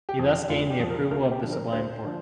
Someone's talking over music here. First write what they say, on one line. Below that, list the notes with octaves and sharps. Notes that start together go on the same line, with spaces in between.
He thus gained the approval of the Sublime Porte.
G4
F2 F3
G4
F1 F4
G4
F2 F3
A#4
D2 A#4
G4
D3 F3
A#4
D2 C5
D3 F3